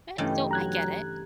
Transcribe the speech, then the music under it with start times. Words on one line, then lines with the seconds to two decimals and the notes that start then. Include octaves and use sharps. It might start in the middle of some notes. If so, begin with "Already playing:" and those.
eh, so I get it,
0.18 G2 C#3 E3 G3 A3 D#4 D#5
0.51 F#3 A#5 F#6 G#6